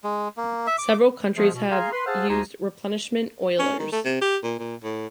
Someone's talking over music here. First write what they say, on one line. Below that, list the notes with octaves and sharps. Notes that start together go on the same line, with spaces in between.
Several countries have used replenishment oilers.
G#3
A#3
E5
D6
F3 G#3 A3 B3 G#4
B2
G#4 F5 G#5 A#5 C6
B4 C6
G#4 C5 F5 F#5 A5 E6
D2 D#4 G4 G#5 A#5 C6
C#4
D#3
A3
C3
G4
A#2
A#2
A2